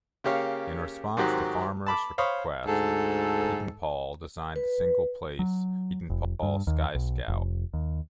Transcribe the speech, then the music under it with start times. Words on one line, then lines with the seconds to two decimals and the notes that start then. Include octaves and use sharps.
In response to Farmer's request, Pietenpol designed the single-place Pietenpol Sky Scout.
0.24 C#3 A#3 G4 C#5 F5
1.17 G#2 D#3 F#3 C4 F#4 G4
1.86 A5 B5 D6
2.18 C5 C#5 F5 B5 D#6
2.66 D2 G#2 A4
4.56 B4
5.39 F#3
6.10 F1
6.43 G2
6.67 D#2
6.95 B1
7.28 F1
7.74 D#2